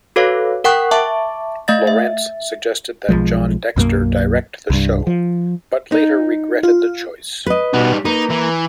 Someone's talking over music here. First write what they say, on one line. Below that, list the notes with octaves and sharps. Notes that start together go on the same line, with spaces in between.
Laurents suggested that John Dexter direct the show, but later regretted the choice.
F#4 A4 B4 C#5 F5
A#4 F#5 G5 C#6 F#6
E5 A5 C#6 D6
A3 D#5 F5 A6
E5
B1 F#2 F3 G#3
B1 F#2 E3 A#3
C2 G2
F3
D#4
F4
B4 D#5
B2 G3 D#4 F#4
A#3 D#4 B4
E3